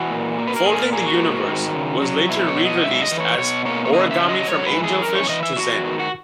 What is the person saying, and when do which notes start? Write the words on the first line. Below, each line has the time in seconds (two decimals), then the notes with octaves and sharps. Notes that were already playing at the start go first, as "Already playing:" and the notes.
"Folding the Universe" was later re-released as "Origami from Angelfish to Zen".
Already playing: E3 F#4
0.11 A#2
0.38 A#3
0.47 B4
0.56 A#4
0.66 A#2 G#4
0.79 A#4
0.93 A#3 G#4
1.06 F#4
1.20 G#2
1.47 D#3
1.74 C#3
2.02 F#3
2.29 B2 E4
2.47 C#5
2.56 F#3
2.66 D#5
2.84 G#2 E5
3.02 D#5
3.11 E3
3.20 C#5
3.38 B2 C#5
3.65 A#3 C#5
3.85 C#5
3.92 C#3 D#5
4.11 E5
4.20 F#3
4.29 D#5
4.47 G#2 C#5
4.66 B4
4.74 E3
4.84 G#4
5.02 F#2 A#4
5.15 C#5
5.29 E3 D#5
5.43 E5
5.56 E2 F#4
5.84 D#3
6.00 F#4